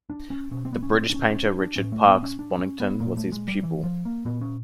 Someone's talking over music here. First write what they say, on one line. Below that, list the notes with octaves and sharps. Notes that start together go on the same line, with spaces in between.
The British painter Richard Parkes Bonington was his pupil.
D4
C#4
B2 C#4
C4
B3
C#4
C4
D4
C#4
C#4
D4
D4
A2 C#4
A3
B3
C#4
D4
C#4
B3
A#2 A#3
A3
G#3
G3
E3
F3
A#3
A#2 B3
C#4